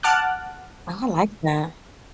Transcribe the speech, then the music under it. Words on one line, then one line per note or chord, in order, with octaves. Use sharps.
I like that.
F#5 A5 D6 F6 F#6